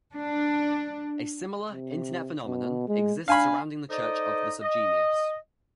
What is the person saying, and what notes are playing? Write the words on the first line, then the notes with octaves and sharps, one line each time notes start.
A similar Internet phenomenon exists surrounding the Church of the SubGenius.
D4
C3
B2
G#3
D4 F5 G#5 B5
D#4 A4 C5 D5 D#5
D#5